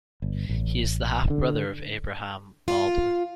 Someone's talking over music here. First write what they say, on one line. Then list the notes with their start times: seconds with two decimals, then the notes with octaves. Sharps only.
He is the half-brother of Abraham Baldwin.
0.22 G1
0.49 A1
1.30 D3
2.68 F4